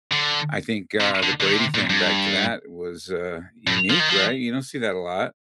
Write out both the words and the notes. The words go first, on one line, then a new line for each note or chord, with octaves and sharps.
I think, uh, the Brady thing, back to that, was, uh, unique, right? You don't see that a lot.
D3
C3
D3
D3
D#3
D3
C3
A#2
G2
A2
F3
D#3
F3